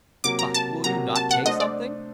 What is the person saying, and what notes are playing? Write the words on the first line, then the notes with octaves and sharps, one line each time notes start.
But will you not take something?
C3 F#3 A#3 D6
A#5
A5
C3 F#3 A#3 F#4 A#5
A5
F#5
A3 D4 A4 C5 D#5
D5